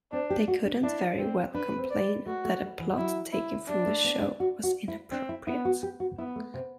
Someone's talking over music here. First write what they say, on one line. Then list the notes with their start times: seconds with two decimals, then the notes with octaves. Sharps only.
They couldn't very well complain that a plot taken from the show was inappropriate.
0.12 C4 D4
0.30 G4
0.48 F#4
0.65 D4
0.83 D4 E4
1.19 C4
1.54 D4 B4
1.78 C4
1.90 D5
2.26 A3 F#4
2.45 A3
2.62 G3
2.80 E3
2.90 G3
2.97 F#3 E4
3.32 E4
3.68 G3 D4
3.87 A3
4.04 B3
4.22 D4
4.40 F#4
4.64 F#4
4.88 E4
5.12 C4 D4
5.29 E4
5.47 B3 E4
5.65 F#4
5.83 G4
6.00 F#4
6.18 B3 E4
6.36 A3
6.54 C3